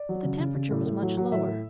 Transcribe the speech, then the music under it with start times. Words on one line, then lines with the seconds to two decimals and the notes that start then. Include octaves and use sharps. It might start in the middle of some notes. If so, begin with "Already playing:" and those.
But the temperature was much lower.
Already playing: D5
0.09 F#3
0.24 C#3
0.40 C#3
0.55 C#3
0.71 A2
0.86 A2
1.02 F#3
1.17 F#3
1.32 A2 E5
1.47 A2